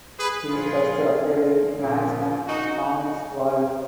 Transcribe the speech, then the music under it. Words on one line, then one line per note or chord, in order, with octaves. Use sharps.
He first appeared in "Grand Slam Comics" Vol.
G#4 B4
A#2 F3 F4 G#4
A#2 F3
D#4 F#4